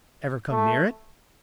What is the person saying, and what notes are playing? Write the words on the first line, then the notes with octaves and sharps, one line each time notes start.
"Ever come near it?"
A3